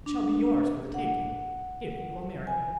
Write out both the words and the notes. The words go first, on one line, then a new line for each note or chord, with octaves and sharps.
It shall be yours for the taking--if you will marry me.
D4
F#5
G#5